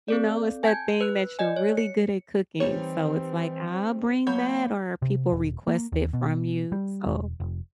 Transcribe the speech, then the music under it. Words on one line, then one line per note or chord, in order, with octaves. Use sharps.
You know, it's that thing that you're really good at cooking, so it's like, "I'll bring that," or people request it from you. So
C4 A4 D5
G#5 A5 G6 G#6
B4 F#6
D5 D#5 G#5
C#5
C#7
E3 G3 C4 D#4 C#5
F#3 A#3 C#5 B5 G6
C3
E1
A#3
D#2
B2
G3
E1
F1